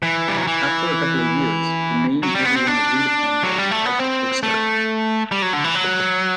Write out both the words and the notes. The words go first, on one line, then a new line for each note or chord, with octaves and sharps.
After a couple of years, the name everyone agreed upon was hypercoaster.
E3
G3
F#3
E3
F#3
G3
B3
C4
D4
F#3
G3
A3
B3
C4
A3
G3
F#3
D3
E3
F#3